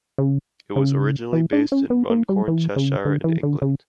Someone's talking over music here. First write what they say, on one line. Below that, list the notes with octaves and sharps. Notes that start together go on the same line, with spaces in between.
It was originally based in Runcorn, Cheshire in England.
C#3
C#3
E3
D4
C#4
B3
A#3
G3
E3
C#3
D3
E3
D3
C#3